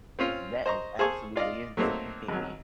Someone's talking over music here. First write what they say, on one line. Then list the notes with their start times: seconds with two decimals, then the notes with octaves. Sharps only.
That is absolutely insane.
0.19 C4 C#4 F4
0.66 C5 D#5 A#5 C#6
0.99 G#4 A4 C5 F5 G#5 C#6
1.36 F4 D5 D#5 F5
1.77 F#3 A3 A#3 C4 D#4
2.28 G#1 F#3